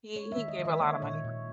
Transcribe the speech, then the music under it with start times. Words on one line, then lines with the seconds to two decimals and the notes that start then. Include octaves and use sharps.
he he gave a lotta money.
0.16 G#3 C#5
0.32 E5
0.37 D#3
0.48 D#5
0.59 D#3
0.65 E5
0.80 A#3 C#5
1.02 A#2 C#5
1.24 A#2